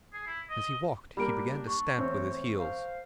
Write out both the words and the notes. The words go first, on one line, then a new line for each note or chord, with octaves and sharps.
As he walked he began to stamp with his heels.
G#4
E4
D#5
G3 A#3 D4 A#4 B5 D7
C#6
E2 A3 C4 C5 C#5
A#4 C5 F5